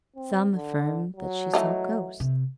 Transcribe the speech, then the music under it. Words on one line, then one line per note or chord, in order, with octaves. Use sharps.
Some affirm that she saw ghosts.
C4
D3
F#3
E3 A3 D#4
C3